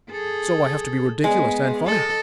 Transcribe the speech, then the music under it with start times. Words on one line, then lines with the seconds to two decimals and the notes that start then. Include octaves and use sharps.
So I have to be ridiculous and funny.
0.11 G#4 A4
1.24 G#3 B3
1.86 A4 D#5